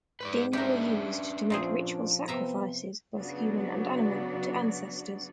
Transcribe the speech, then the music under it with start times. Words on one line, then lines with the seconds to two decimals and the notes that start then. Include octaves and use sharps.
Ding were used to make ritual sacrifices, both human and animal, to ancestors.
0.21 G#2 B4 C5 D5
0.53 C#4 D4 G4 A#4 B4 E5
1.50 A#2 F3 C4 G#4
2.28 C3 B3 B4 E5 G5 A#5
3.18 C#3 F#3 B3 D4 F#4 D5